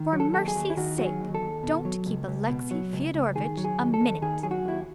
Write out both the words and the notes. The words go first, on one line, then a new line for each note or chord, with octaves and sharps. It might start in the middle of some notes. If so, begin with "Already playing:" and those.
For mercy's sake, don't keep Alexey Fyodorovitch a minute.
Already playing: D#3
F#3
A4
D#2 A4
G#4
D#2
E4
D#3 F#4
F#3 F#4
G#4
D#2
A4
D#2
B2
F#3
C#2
C#2
B2
F#3
C#2
C#2
D#3 G#4
F#3
G#4
D#2
A4
D#2
D#3 G#4
F#3 G#4
F#4
D#2 E4